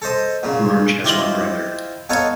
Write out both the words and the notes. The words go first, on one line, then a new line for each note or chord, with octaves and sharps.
March has one brother.
A4 C5 D#5
A#2 C#3
E4 F4 G4 C5 D#5
B3 D#4 A4 C#5 F5